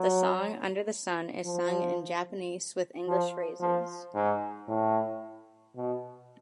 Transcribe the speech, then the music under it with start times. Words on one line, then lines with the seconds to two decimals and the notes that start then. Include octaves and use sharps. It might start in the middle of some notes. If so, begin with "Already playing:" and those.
The song "Under the Sun" is sung in Japanese with English phrases.
Already playing: F#3
1.45 F3
3.08 F3
3.60 F3
4.14 G#2
4.68 A2
5.76 B2